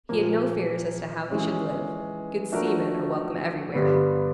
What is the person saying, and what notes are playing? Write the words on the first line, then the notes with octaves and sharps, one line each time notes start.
He had no fears as to how he should live--good seamen are welcome everywhere.
A#2 F3 A#3
E3 G#3 C#4
F3 A3 D4 F#4 A#4
G2 D3 G3 B3